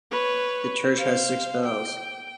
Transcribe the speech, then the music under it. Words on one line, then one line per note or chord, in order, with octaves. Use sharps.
The church has six bells.
B4 C#5
C5 F5
G5